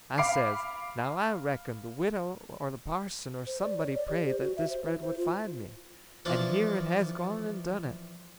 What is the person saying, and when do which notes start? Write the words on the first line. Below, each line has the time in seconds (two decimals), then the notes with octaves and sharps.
I says, now I reckon the widow or the parson or somebody prayed that this bread would find me, and here it has gone and done it.
0.18 F5 B5 D6 C7 D7
3.46 C5
3.61 D5
3.78 C#5
3.96 D5
4.11 G4
4.28 C5
4.40 F#4
4.57 E5
4.69 C5
4.85 E4
5.02 C5
5.17 F4
6.25 E3 F3 D4 D5